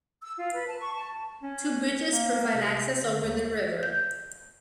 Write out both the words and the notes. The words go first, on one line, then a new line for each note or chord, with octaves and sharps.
Two bridges provide access over the river.
E6
F4
B4
A5
C#6
A5
C#4
A#3
C3
D3
D#2
G6